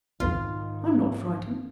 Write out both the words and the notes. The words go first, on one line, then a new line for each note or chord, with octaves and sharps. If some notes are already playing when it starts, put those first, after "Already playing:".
"I'm not frightened."
B1 F2 G#2 D#3 F4